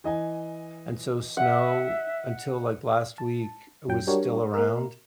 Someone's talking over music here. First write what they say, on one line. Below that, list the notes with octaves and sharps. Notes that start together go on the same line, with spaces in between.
and so snow, until like last week, it was still around,
E3 D#5 G#5
E5 F#5
A5
F#2 F#3 G5
G3 D4 F#4 G4 A#4 C#5
A#3 A#4